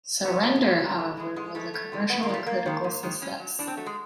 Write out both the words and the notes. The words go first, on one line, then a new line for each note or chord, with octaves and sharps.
"Surrender", however, was a commercial and critical success.
B2 B3
G3
G#3
B2 A3
G3
G#2
E3 G#3
G#2 G#3
E3 G#3 A3
E2 A3
C3 E3 G#3
E2 B3
A#3
C3 E3 G#3 A3
G#2 A#3
D#3 G#3
G#2
D#3 G#3
A2 C#4
F#3
A2 D4
C4
F#3 A3
G#3